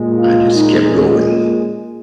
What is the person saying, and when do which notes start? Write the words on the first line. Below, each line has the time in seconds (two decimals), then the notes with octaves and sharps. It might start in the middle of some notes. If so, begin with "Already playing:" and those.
I just kept going,
Already playing: A#2 G#3
0.17 F4
0.54 D#4
0.91 C#4